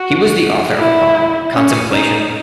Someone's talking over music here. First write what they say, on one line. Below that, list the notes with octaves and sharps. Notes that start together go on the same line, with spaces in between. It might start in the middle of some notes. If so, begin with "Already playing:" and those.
He was the author of a poem, "Contemplation".
Already playing: F#4
E4
C#4
D#4